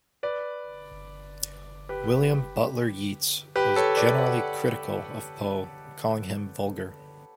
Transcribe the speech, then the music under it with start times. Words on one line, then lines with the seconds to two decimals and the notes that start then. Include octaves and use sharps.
William Butler Yeats was generally critical of Poe, calling him vulgar.
0.23 B4 D5
1.89 G4 B4
3.56 G4 B4
3.76 A4 C#5
3.97 B4 D5
4.18 D5 F#5